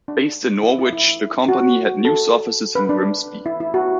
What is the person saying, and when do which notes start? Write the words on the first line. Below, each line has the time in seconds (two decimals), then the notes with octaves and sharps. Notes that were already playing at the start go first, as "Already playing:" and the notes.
Based in Norwich the company had news offices in Grimsby.
0.08 D4
0.63 E4
0.79 E4
0.93 E4
1.48 F#4
2.05 A4
2.75 B4
2.89 D4
3.46 E4
3.60 E4
3.74 F#4